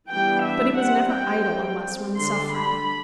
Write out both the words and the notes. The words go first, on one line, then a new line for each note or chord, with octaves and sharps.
But he was never idle unless when suffering.
E3 G3 B3 D4 G5
E5
G3 C4 F#5
G5
G3 C4
D3 G3 D4 C6
B5